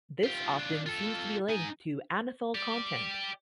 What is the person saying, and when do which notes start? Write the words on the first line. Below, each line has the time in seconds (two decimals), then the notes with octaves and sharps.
This often seems to be linked to anethol content.
0.24 F4 G4
0.58 D4 F4
0.86 F4 A4
1.50 D#4 G#5
2.55 G4 D5